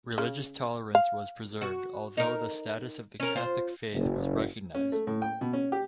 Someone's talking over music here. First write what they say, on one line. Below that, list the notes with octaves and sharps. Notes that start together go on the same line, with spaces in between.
Religious tolerance was preserved, although the status of the Catholic faith was recognized.
C#3
F5
F#4
D#4 A#4
C#4 A#4
F4 C5
F#1
C#4
A3
A2
G5
B2
C#4
G4